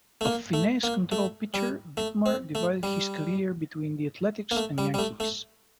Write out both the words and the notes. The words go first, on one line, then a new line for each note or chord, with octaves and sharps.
A finesse control pitcher, Ditmar divided his career between the Athletics and Yankees.
A3
A#3
A3
A#3
A3
G3
A3
C4
A3
G3
A#3
A3
G3
G3
A3
A3